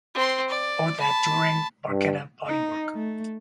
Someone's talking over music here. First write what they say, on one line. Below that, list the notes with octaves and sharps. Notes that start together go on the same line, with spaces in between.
Both had Touring barchetta bodywork.
C4 C6
D5
A5 B5
G2
D#4
A3